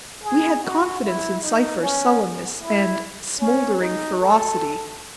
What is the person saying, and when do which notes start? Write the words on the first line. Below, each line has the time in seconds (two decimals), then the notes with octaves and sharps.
We had confidence in Cypher's sullenness and smouldering ferocity.
0.23 G#4
0.63 F#4
1.03 E4
1.42 D#4
1.82 C#4
2.61 E4
3.40 C#4
3.80 D#4
4.19 A4